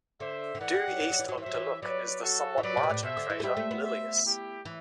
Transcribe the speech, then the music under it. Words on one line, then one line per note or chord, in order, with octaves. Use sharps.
Due east of Deluc is the somewhat larger crater Lilius.
D3 C5 E5
D3
E3 D5 F#5
G3
F#3
E3
F#3
E3
F#3
E3
F#3 C5 E5
E3
F#3 B4 D5
F#4 A4
E3
F#3 B4 D5
C3
B2
A2
B2 C5 E5
D3
E3
A3
G3 C5 E5
A3
B3
C5 E5
E4 G4
E3